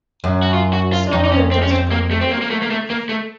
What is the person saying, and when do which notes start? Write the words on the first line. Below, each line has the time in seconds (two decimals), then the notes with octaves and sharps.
Sowell endorsed Parker for the run off.
0.24 F#2
0.43 F#4
0.53 F4
0.73 F#4
0.92 F4
1.12 F2 D#4
1.25 D#4
1.32 C#4
1.51 C4
1.62 C#4
1.71 C4
1.91 A#3
2.11 A3
2.21 C4
2.31 A#3
2.42 A#3
2.50 A3
2.62 A#3
2.70 A3
2.90 A#3
3.09 A3